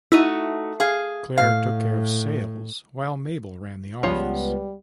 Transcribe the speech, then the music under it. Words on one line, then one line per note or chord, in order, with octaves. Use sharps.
Clair took care of sales while Mabel ran the office.
A3 D#4 E4 F#4 D#7
G#4 F5
A2 F5
C#2 F3 G3 B3 F4 C#5